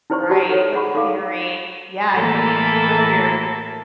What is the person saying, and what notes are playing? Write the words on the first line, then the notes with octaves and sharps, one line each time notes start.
Right, that's scary. Yeah, what do you do if your
D#4 E4 B4 C5 D5 C#6
F#4 G4 D5 A5 D#6
A4 B4 C#5
G#4 D5 F#5 B5 C#6
D#4 A4 D5 F5 D6
A2 E3 A#3 E4 A4 A5